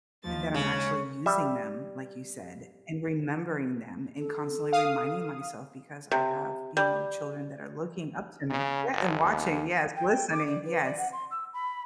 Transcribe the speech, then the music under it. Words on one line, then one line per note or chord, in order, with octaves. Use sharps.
that I'm actually using them, like you said, and remembering them, and constantly reminding myself, because I have, you know, children that are looking up to me. Yeah, and watching, yes, listening, yes.
D#2 F3 A6
C#3 G#3
G3 E5
A4
F5 D#6
C3
G3
C#3
G1
D#2
G5
D6
D5
B4
D5
F#5
C6
E6
B5